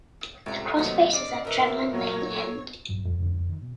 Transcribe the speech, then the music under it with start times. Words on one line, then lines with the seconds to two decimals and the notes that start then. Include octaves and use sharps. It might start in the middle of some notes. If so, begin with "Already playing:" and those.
The cross base is at Trevellan Lane End.
0.46 C#2 A2 C3 D5 A#5
0.77 D#2 C3 F#3 A3 B3 C4 D#5
1.13 C#3 C4 D5
1.45 B2 E3 A#3 A#4 E5
1.93 A#2 F#3 F#4 A#4 C#5
2.28 A4
2.89 A#1 G2 F#3
3.05 D#1 F2
3.19 F1 C#2 D3
3.49 D#3
3.62 B2